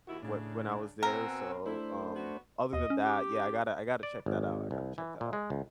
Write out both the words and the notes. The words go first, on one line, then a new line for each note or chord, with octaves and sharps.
when when I was there, so, um, other than that, yeah, I gotta I gotta check that out. I gotta check that out.
D#2 D#3 E4 F#4
A2 C#3 D4
B2 C4 A#4 F#5 G#5 E6
A3 D4 E4 C5
B3 F#4
D#2 D#5
C#4
G4
D5
G#1
C2
E3
A#2
G#3
C#2